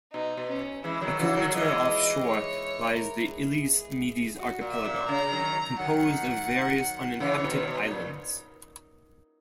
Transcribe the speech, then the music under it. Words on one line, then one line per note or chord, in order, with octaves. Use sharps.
A kilometre off shore lies the Illes Medes archipelago, composed of various uninhabited islands.
B2 D#4
B2
C#4
E3 G#3 E4
D#3 F#3
C#3 E3 F#4
D#3 F#3
F#3
E3 G#3 D#5
C#5
A#4
G#4
F#4
A#2
E5
A#2
C#3 A#5
D#3 F#3
D#3 F#3 F#5
C#3 E3 C#5
C#3
B2 D#3
B2
B2
A#2